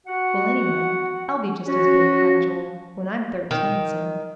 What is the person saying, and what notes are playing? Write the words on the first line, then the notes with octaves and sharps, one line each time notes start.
"Well, anyway, I'll be just as big," cried Joel, "when I'm thirteen, so!"
F#4 F#5
C#4 F#4
D#3